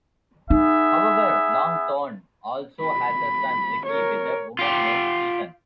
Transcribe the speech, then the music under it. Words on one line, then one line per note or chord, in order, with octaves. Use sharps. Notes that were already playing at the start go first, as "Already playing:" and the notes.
However, Longthorne also has a son, Ricky, with a woman named Susan.
B3 D#4 G#4 E5
B5
A#4 C#5
F4 G4